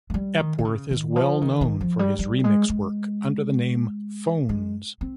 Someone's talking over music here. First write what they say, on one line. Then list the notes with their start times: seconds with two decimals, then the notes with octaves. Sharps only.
Epworth is well known for his remix work under the name "Phones".
0.10 G#3
0.14 G3
0.39 D#3
0.58 D#3
0.65 C#3
0.91 D#3
1.16 F3
1.41 D#3
1.61 D#3
1.81 F3
1.99 G3
2.19 G3
2.44 G#3
2.70 G#3
4.49 G#3
5.01 C4